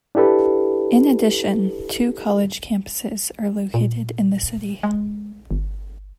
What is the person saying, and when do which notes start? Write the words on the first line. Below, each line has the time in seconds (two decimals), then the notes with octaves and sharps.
In addition, two college campuses are located in the city.
0.15 D4 E4 G4 A4 B4
3.74 A#2
4.83 G#3
5.51 G1